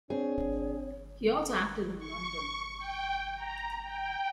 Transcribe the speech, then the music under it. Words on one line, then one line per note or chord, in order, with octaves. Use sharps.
He also acted in London.
C4 D4 G#4 C#5
C#6
G5
A#5
G5